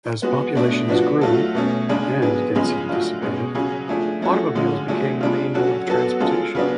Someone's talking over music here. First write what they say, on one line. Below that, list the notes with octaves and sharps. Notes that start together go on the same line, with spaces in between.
As populations grew and density dissipated automobiles became the main mode of transportation.
G#3 B3 F#4
B2 A3 D4
F3 B3 D4 F#4
F#3 A3 F4 A4
B2 A3 C#4
C#3 G#3 D4 G#4
F#3 B3 D4 G#4
C#3 F3 G#3 C#4 F4
F#3 A3 D4 F4
B2 G#3 C#4 G#4
C#3 F#3 C#4 G#4
F3 A3 D4 G#4
F3 A3 C#4 F#4 A4
D3 F3 G#3 C#4 F4
F#3 A3 D4 G#4
C#3 G#3 D4 F4
F#3 C#4 F#4 A4
F#3 B3 F#4 A4
G#3 C#4 F4 A4
C#3 F#3 B3 D4